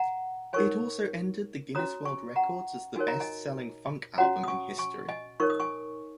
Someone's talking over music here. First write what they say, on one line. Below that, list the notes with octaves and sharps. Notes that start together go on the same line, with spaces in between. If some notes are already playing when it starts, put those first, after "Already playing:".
It also entered the Guinness World Records as the best-selling funk album in history.
Already playing: F#5 A#5
D#4 A#4 C#5 G#5 C#6
C#4 F#4 C#5 A#5 D#6
G#5 C#6
F#5 A#5
D#4 F#4 A#4 C#5 G#5
A#5
D#5 G#5
C#4 F#4 C#5 F#5 A#5
D#6
G#5 C#6
G#5 C#6
D#5 G#5
D#4 A#4 C#5 C#6
D#6
G#5 C#6